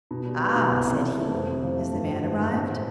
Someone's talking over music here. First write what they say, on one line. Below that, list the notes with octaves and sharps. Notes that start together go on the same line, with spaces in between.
"Ah!" said he, "has the van arrived?"
B2
G3
B3
B2
C2
C3
E3
A3
F2
C3
F3
A3
G2
D3
F3
G2
A2
F3